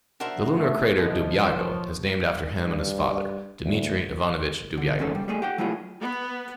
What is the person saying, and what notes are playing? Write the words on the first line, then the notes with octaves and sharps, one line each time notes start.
The lunar crater Dubyago is named after him and his father, Dmitry Ivanovich Dubyago.
D4 F#4 A#4 C5 E5
A3
D2 B2 F3 E4 D#5
G#2 C5 C#5
G2
D2
D3
E2 G#2 C#3 C#4 A4
G3
G3 A3 G#4
G4 F#5 G5
F#3 A3 E4 F4 G#4
B3